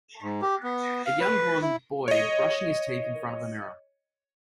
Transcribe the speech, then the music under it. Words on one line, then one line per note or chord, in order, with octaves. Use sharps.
A young blond boy brushing his teeth in front of a mirror.
G#2
G4
B3
F5
B4
E4
C#5 D#5